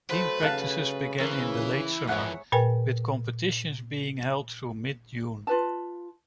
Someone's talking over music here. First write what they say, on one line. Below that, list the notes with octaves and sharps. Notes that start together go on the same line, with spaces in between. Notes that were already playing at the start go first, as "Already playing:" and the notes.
Team practices begin in the late summer, with competitions being held through mid-June.
F#3 A3 B4 C5
C#3 F5 A5 F#6
C#3 E3 A#4 C5 C#5
F2 G#2 E3 C#5 E5 F#5
A#2 A#4 B4 G5 G#5
F4 B4 A5